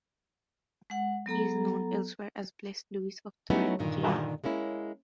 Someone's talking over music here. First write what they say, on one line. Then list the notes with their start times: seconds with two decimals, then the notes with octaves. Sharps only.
He is known elsewhere as Blessed Louis of Thuringia.
0.90 G#3 F#5
1.26 F#3 B3 A4 A#5
3.50 F#3 A3 B3 C#4 D#4 E4
3.79 G2 A#2 D3 D#3
4.44 G#3 A#3 C#4 E4